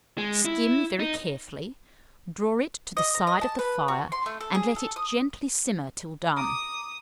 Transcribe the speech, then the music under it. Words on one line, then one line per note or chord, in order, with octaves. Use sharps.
Skim very carefully, draw it to the side of the fire, and let it gently simmer till done.
G#3
E4
D#4
D#5
A#5
D#5
A5
B4
F#4
C6
A3
A4
G#4
A4
D#6
A#5 D6 D#6